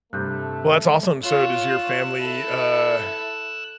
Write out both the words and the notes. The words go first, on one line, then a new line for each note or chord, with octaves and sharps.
Well, that's awesome. So, does your family, uh,
G2 C3 A3 F#6 G6
F4 C#5 E6 F#6
E4 A4